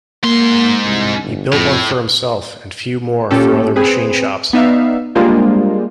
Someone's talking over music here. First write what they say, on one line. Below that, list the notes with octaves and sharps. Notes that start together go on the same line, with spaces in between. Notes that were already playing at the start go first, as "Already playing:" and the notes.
He built one for himself and few more for other machine shops.
G#2 A#3 C6
C2
G1
F2 A2
A#2 C#4 G4 A4
C4 G#4 B4
B3 D#4 D5 E5 F5
G3 G#3 A#3 D4 F4 C5